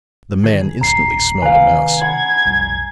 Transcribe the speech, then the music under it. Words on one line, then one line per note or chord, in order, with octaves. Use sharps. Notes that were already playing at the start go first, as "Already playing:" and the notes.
The man instantly smelled a mouse.
D3 D#3 G#4
D#1 A1 A#5 C7
C3 D#3 A3 B4 F5 G#5
F#5 B5 G#6
F1 B1 G3